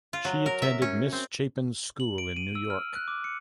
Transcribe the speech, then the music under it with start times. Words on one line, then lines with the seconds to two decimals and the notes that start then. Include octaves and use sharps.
She attended Miss Chapin's School in New York.
0.13 F4
0.25 F#3
0.46 A#4
0.62 E5
0.82 C#4
1.13 C4
2.00 F#7
2.18 D7
2.36 D#7
2.55 E6
2.70 F6
2.95 F#6
3.08 D6
3.24 C#7